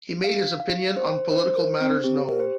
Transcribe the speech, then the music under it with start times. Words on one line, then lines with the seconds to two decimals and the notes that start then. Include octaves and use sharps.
He made his opinions on political matters known.
0.24 F5
0.60 F5
0.97 C5
1.32 C5
1.56 A#4
1.68 C5
1.80 C4
2.04 C4 G4
2.28 A#4
2.40 C5